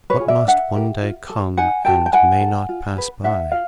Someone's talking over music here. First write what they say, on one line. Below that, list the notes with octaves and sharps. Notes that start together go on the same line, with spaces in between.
What must one day come and may not pass by?
B4 C#5
F4 G#4
D5 E5
D4 E5 F#5
G4 A#4
F4
A4
D#4 F#5 G#5
F#4 A4 G5 A5
G5
E4 F#5 G#5
A4
F4
G#4 B4
D4 E5 F#5
F4 F5